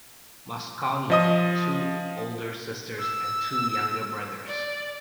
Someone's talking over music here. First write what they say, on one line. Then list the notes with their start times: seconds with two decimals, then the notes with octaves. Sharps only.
Mosconi had two older sisters and two younger brothers.
1.10 F3 D#5 D#6
2.99 E6
4.46 D5